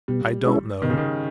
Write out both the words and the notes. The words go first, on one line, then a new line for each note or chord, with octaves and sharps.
I don't know.
B2 G3
G#3 C#4 E4
B2 D#3
C#3
D#3